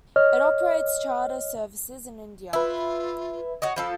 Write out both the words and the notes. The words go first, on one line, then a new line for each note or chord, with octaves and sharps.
It operates charter services in India.
C#5 D#5 F6
E4 F4 B4 E5
F#4 C#5 D#5
F3 F4 A4 B5